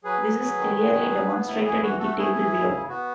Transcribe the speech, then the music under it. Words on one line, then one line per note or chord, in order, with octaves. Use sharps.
This is clearly demonstrated in the table below.
F#3 G#4 B4
F#3
F#3
D#3
D#3
F#3
B3
B3
D#2 E4
E3 E4 G#4
E3 F#4
A3 F#4 A4
A3 E4 G#4
E3
D#2
C#3
B3 F#4